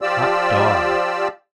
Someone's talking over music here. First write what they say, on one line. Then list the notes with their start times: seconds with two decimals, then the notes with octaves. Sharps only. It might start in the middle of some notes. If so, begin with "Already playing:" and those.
Hot dog!
0.02 F3 F4 G4 D5 E6